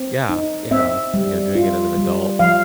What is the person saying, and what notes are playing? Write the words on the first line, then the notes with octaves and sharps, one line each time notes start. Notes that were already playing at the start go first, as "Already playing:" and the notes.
Yeah. Yeah, it's you know, doing it as an adult,
Already playing: C4
D#4
C4 E5
G3
F4
G3
F3 F5